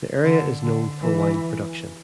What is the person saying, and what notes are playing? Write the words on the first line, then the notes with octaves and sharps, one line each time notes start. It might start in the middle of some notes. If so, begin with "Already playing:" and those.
The area is also known for wine production.
D3
D3
E3